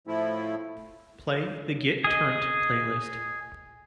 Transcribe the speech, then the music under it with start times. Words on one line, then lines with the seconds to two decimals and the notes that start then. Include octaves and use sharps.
Play the Get Turnt playlist.
0.07 A2 F3 A3 E4
2.04 G#4 D#5